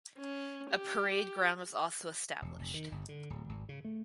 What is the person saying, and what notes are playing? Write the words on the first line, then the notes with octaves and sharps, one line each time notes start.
A parade ground was also established.
C#4
G4
E1
F1
D#3
G1
D3
D1
G#1
C#3
A3